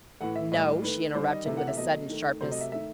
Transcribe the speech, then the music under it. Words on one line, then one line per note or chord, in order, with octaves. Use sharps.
"No," she interrupted, with a sudden sharpness.
A2 E3 A3 F#5
E5
A2 G3 D#5
D#3 A3 B4
D#3 G3 C5
D#5
C3 E3 A3 E5
F#5
E5
B2 F#3 A3 D#5
D#3 A3
C3 F#3 A3 C5
D#5
E5
D#3 A3 E5